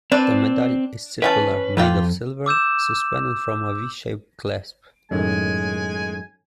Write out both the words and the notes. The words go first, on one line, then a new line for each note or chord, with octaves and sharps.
The medal is circular, made of silver, suspended from a V-shaped clasp.
C4 D4 B4 D5
E3 C#4 B4 A5
F2 F4 G4 B4
D6 E6 G6 E7
F#2 A2 D#3 G#3 G#5